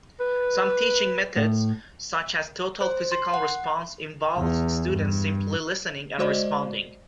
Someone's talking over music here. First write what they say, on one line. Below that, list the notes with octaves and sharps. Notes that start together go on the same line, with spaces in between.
Some teaching methods, such as Total Physical Response, involve students simply listening and responding.
B4
A2
C5
C6
F#5
E2
G2
G#3 F#4 C5 D5 D#5